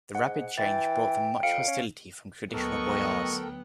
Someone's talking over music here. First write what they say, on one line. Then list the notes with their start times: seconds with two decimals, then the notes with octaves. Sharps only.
The rapid change brought them much hostility from traditional boyars.
0.15 G#2 F#5
0.58 E3 G5 A6
1.43 F2 F5 C#7 D7
1.67 C#4
2.53 D2 F#3 B3 A4 A#4 D#5 G5 C#6